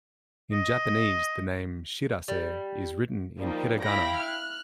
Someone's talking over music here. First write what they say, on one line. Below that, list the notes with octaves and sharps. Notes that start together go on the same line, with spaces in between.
In Japanese, the name "Shirase" is written in "hiragana".
D#5
G3
F3 G3 A#3 D#4
E4 F5 G5 B5 A#6
F6 F#6